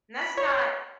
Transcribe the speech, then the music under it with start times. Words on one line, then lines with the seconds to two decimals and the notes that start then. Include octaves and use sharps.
And that's not
0.21 B5
0.37 C#5